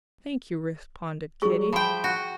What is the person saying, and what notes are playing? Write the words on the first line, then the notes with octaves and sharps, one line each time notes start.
"Thank you," responded Kitty.
F#3 G3 G#4 C#6
F3 G5 B5 C6
F#4